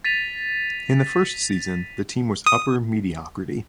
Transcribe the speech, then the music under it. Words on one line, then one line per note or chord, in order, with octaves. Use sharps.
In the first season, the team was upper mediocrity.
A6 B6 D#7 F7
D#6